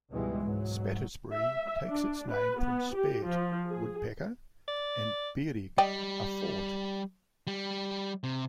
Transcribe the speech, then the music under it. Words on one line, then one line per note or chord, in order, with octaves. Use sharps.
Spetisbury takes its name from speht - woodpecker, and byrig - a fort.
C#2 G#2 B2 E3 G3 G#3
G#2 F#3
E5
D4
B4
B3
G4
F3
G#4
D5
G3 D5 D#5 G5
G3
C3